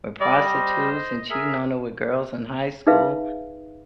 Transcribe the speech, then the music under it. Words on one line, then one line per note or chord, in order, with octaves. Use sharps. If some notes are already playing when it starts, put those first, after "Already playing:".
with prostitutes and cheating on her with girls in high school,
G3 D5 D#5
C5
D#5
G#4 A#4 E5
D#4 G#4 B4 E5 F5